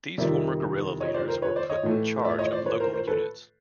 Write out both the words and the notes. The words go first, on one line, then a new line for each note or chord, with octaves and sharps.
These former guerilla leaders were put in charge of local units.
F2 C3 D#3 G3 D5 E5
C#5 D#5
C5 D5
A#4 C5
B4 C#5
C5 D5
C#5 D#5
A2 E3 A3
D5 E5
C#5 D#5
C5 D5
B4 C#5
A#4 C5
A#4 C5
A4 B4